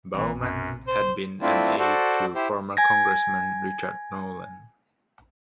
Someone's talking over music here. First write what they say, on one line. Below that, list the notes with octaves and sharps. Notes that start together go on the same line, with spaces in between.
Baumann had been an aide to former congressman Richard Nolan.
A#1 C3 E3
F#2
C5
A3 C4 D4 E4 F4
F#4 A4 C5 D5
E4 G4 C5
G#5 G#6 A#6